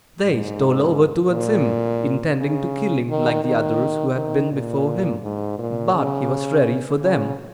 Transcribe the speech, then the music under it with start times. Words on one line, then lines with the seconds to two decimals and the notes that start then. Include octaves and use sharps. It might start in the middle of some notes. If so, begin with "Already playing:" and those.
They stole over towards him, intending to kill him, like the others who had been before him: but he was ready for them.
0.24 G#2
1.31 A#2
2.37 C#3
3.09 D#3
3.44 D#3
4.16 D#3
4.52 A#2
5.23 G#2
5.58 A#2
5.93 C#3
7.01 C#3